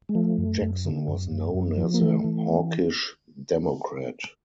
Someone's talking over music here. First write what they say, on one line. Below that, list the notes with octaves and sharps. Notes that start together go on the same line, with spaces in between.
Jackson was known as a hawkish Democrat.
G#3
F3 A3
F#2
F#2
D3
F#2
F#2
F#2
F3
A#3
E3 A3
E3